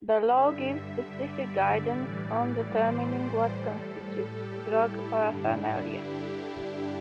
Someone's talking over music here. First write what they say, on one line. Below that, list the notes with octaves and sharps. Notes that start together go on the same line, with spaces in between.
The law gives specific guidance on determining what constitutes drug paraphernalia.
G2 D3 G3 E5
D5
D5
A2 E3 G3
C5
A2 G3 A4
G4
E4
G2 D3 G3 D4
E4
G4